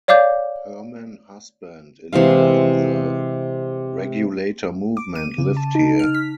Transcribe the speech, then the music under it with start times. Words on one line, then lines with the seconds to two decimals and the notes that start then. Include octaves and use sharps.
Herman Husband, a leader in the Regulator Movement lived here.
0.08 C#5 D5 F5 D6 G6
2.13 C3 E3 G#3 F5
4.97 D6
5.15 D#7
5.38 C#3
5.57 A5
5.75 D#4
5.99 F6
6.14 B6